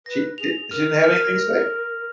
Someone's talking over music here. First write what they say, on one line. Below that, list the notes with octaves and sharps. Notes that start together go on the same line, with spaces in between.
She d she didn't have anything to say.
B4 A#6
G#4 F7
A#4 F6
F6
A#6